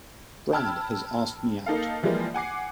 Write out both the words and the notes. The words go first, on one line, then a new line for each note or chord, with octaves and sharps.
Brad has asked me out.
G5 A5 B5 E6 F6 G#6
A#3 D#4 A4 F5
E3 F3 G3 G#3 A#3
F#5 G#5 D6 C7